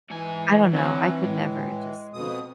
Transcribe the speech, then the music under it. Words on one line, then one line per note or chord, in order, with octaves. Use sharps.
I don't know. I could never just be
G#2 E3 G#5
F#3 C4 G#5
A2 G#3
F2 B2 D#6